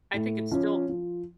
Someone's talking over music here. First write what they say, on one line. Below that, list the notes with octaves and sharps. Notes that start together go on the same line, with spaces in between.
I think it's still
A2
F3 C#4
F3